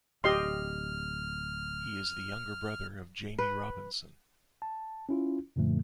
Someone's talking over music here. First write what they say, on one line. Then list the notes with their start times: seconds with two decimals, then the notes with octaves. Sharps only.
He is the younger brother of Jamie Robinson.
0.24 D1 G4 D#5 C6 F6
3.39 B4
4.62 A5
5.09 C#4 E4 F4
5.56 F#2 A#2 D3 F3 A3